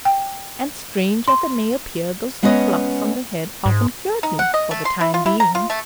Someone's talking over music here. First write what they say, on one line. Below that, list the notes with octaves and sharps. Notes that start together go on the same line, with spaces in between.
And, strange as it may appear, those clumps on the head often cured me--for the time being.
G5
C6
G#3 B3 C#4 B4 C#5 D#5
G#2
D#4
F#5
D#5
A3
C6
E4
F4
E4
A#5
F4
A3